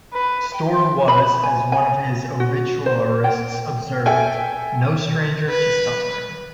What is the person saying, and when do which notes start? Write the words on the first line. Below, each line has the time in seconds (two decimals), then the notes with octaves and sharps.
Storr was, as one of his obituarists observed, "no stranger to suffering".
0.13 B4
0.54 G5
1.08 B5
1.43 G#5
1.72 G#5
2.40 F#4
2.86 C5
3.24 G5
4.06 A4 E5 G5 G#5
5.49 B4